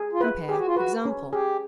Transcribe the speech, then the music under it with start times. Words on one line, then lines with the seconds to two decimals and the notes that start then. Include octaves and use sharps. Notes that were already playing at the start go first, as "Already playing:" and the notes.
Compare EXAMPLE.
Already playing: G#4
0.13 F4
0.20 E4 B4
0.49 G4 G#4
0.58 F#4
0.66 F4
0.75 F#4 B4
1.05 C#4
1.32 G4 G#4